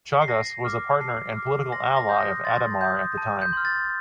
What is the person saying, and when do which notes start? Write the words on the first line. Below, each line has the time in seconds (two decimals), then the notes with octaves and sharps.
Chagas was a partner and political ally of Ademar at the time.
0.22 C7
0.28 A5 A#6
0.65 D6 F6
1.01 A5 C7
1.36 D6 F6
1.72 C6 A#6
1.97 A#6
2.09 D#6 G6
2.20 A#6
2.45 C6 A6
2.81 D#6 G6
3.18 A5
3.41 G6
3.53 C6 F6
3.65 A6